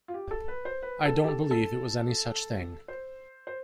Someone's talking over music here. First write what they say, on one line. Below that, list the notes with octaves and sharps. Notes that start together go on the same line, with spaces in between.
I don’t believe it was any such thing.
F4
G4
A4
B4
C5
B4
A4
G4
A4
A4
C5
C5